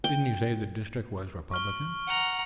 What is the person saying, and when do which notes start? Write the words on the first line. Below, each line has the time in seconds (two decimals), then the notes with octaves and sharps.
"Didn't you say the district was Republican?"
0.04 G5
1.51 C#6 F6 G7
2.07 F#5 A#5